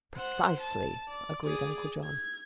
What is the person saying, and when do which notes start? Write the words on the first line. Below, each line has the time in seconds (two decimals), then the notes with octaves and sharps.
"Precisely," agreed Uncle John.
0.17 C5 F#5
0.60 A5
1.09 D5
1.44 G#4 D5
2.04 G#6